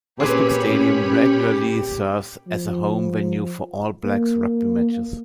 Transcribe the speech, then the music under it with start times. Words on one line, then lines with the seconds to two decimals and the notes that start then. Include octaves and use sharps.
Westpac Stadium regularly serves as a home venue for All Blacks rugby matches.
0.20 A#2 C4 C#4 G4 G#4 B4 C#5 B5
2.48 F3
4.04 A#3